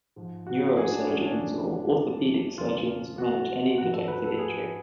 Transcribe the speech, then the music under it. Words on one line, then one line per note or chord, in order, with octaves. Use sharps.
Neurosurgeons or orthopaedic surgeons manage any detected injury.
G#2 F3
F#4
G#4
D4
C#4
D4
F2 C#3 F3
F2 C#3 F3 F4
F#4
G#2 F3 F#4
A4
B4
A4
G#4